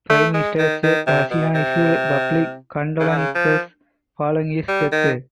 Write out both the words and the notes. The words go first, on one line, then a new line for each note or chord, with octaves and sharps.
Prime Minister Sheikh Hasina issued public condolences following his death.
A3
G#3
D#3
D#3
C3
B2
C3
C#3
D3
C#3
F3
G3
D#3